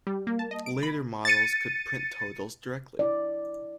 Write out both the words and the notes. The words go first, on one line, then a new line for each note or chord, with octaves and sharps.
Later models could print totals directly.
G3
A#3
A5
D#5
D7
B5
A6 C#7 D#7
E4 D5